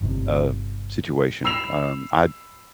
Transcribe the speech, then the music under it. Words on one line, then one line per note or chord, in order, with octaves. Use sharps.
uh, situation. Um, I
G1 C3
B5 E6 C7 E7 F7